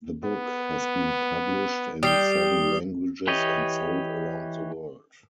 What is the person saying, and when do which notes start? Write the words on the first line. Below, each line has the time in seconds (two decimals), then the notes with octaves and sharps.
The book has been published in seven languages and sold around the world.
0.24 B3
2.03 G3 D#6 C7 G7
3.27 E3 G4 C#5 D#5